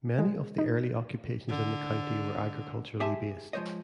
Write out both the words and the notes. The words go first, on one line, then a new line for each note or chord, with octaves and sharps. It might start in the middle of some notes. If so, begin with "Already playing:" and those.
Many of the early occupations in the county were agriculturally based.
G#3
D#4
D3
G4 G#4 E5 G#5 A5 C6
F3 G#3 C5 C#5 D#5